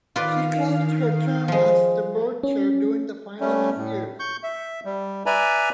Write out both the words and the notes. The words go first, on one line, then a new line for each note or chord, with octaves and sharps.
She closed her term as the Board Chair during the final two years.
D#3 F4 B4 D5 F5
F3 G#3
C#4
G3 A3 C#4
A2
C#6 G6
E5
G3
B4 D5 E5 G#5 A#5 B5